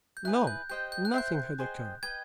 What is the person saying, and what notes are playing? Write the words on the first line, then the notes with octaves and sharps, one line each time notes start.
No; nothing had occurred.
G6
E4 G#4 B4 F#6
G6
G4 C5 D#5 G5 G6
G6
F#6
C5 E5 G5 C6 G6
G#4 C5 D#5 G5
B4 D#5 G5 G#6